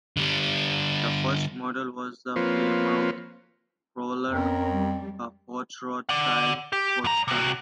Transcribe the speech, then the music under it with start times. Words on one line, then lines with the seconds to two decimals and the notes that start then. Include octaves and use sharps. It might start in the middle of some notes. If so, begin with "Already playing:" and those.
The first model was the Plymouth Prowler, a hot rod-styled sports car.
0.17 D3 G3
2.36 F3 A#3 C4 F4 B4 C#5
4.31 F2 B3 C#4 A#4
4.71 G3
6.09 D5 F#5
6.73 G4
7.04 G2 A#5
7.28 C3 F#4